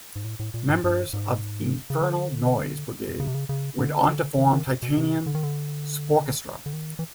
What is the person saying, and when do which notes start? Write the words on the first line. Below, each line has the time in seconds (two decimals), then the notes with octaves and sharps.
Members of Infernal Noise Brigade went on to form Titanium Sporkestra.
0.16 G#2
0.25 A2
0.40 A2
0.54 A#2
0.69 G#2
0.84 G2
1.13 G#2
1.90 C#3
2.01 D3
3.20 C#3
3.27 C3
3.35 C#3
3.49 C#3
3.79 D3
4.08 D3
4.38 D#3
4.52 D#3
4.67 B2
4.82 B2
4.97 C3
5.26 D3
5.35 D#3
5.43 D3
6.66 D3
6.73 D#3
6.99 E3